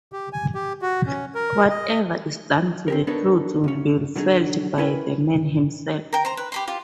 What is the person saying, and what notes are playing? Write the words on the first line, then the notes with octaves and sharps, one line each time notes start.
Whatever is done to the clothes will be felt by the man himself.
G4
G#5
G4
F#4
C#4
A#4
D#5
C4 G4 A#4
B3 D4 D#4 A4 A#4 C#5
D2 C#4
B2 D3 F#3 D4 D#4 G#4
C#4 E4 A#4 B4 G5 G#5
A#4 G5
C5 A#5
B4
G4 B5 C6
F4 G4